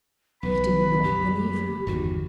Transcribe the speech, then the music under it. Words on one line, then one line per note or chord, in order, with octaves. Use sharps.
He did not believe her.
B1 C#3 B4 B5
F#2 G4
G1 E2 D#3 F#4